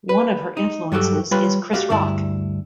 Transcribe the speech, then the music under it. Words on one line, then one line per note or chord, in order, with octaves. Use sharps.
One of her influences is Chris Rock.
B4
D#4
G2 F#3 F#4 G4 A4
G3 F4 B4 C#5 B5
F#4 G4 D5 F5
D2 G2 E4 D5